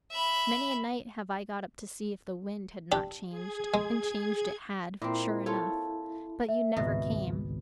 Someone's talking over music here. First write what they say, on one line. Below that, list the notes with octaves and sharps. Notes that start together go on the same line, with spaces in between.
Many a night have I got up to see if the wind had not changed: and changed it had, sure enough; but you never came.
E5 B5
D4 G4
G#4 G#6
G#3
A#2 C4 E4
F4 A4 C#5
E5
G#1 C#2 B2